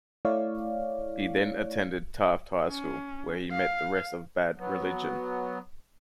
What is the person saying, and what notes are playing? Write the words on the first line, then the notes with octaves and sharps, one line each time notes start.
He then attended Taft High School, where he met the rest of Bad Religion.
A3 E4 C#5 D5 F5
C#4
F5
F#3 B3